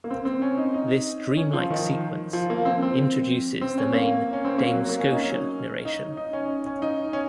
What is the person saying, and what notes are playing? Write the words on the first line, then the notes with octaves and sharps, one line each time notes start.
This dream-like sequence introduces the main 'Dame Scotia' narration.
A#3
C4
C4
C#4
D#4
D#4
C#4
F3
D#3
F3
A#3
C4
C4
C4
C#4
A#3
C#4
C4
A#3
F#3
A#3
C#4
D#4
C#4
D#4
D#4
C#4
C#4
D#4
C#4